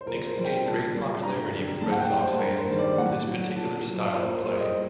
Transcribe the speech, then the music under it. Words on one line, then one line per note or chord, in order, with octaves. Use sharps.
Nixon gained great popularity with Red Sox fans for this particular style of play.
C5
A#2 A#4
C5
G3
G5
A#2 A5
G3
G2 A#5
D3 G3
A2 A5
F#5
G5
G3
C5
G2 A#4
C5
D#3 G3
D5
A2 F#5
F#3
A#2 A5
F#3
A#2 C5
A#4
G3 C5
D#5
A#2